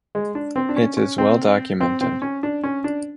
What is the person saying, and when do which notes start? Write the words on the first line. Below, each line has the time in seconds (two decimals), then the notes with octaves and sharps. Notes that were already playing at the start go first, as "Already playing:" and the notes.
It is well documented.
0.15 G#3
0.35 D4
0.56 C4
0.69 D4
0.76 C#4
0.97 C#4
1.18 C4
1.80 C4
2.01 C4
2.22 C#4
2.43 D4
2.64 C#4
2.84 D4